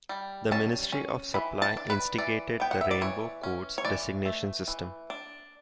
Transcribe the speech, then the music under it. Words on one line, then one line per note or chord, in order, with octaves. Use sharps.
The Ministry of Supply instigated the Rainbow Codes designation system.
G3
C#4 A5
C#4
E3 B5
A5
D4
B4
E3 D5
B3 G5
F#5
E5
D5
E3 C#5
C#4
C#5
E3 D5
A3
E3
D4